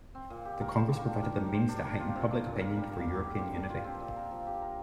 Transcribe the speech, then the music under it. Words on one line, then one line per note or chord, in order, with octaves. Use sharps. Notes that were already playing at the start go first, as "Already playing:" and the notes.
The Congress provided the means to heighten public opinion for European unity.
C4
A#2
G4
A#4
C5
A#3
D4
A#4
G4
C5
D4
A#4
F4
C3
D4
A#2
A#4
G3
A#3
D3
G4
C5
D4
F4
C4
A#2
A#4
F3
G4
A#4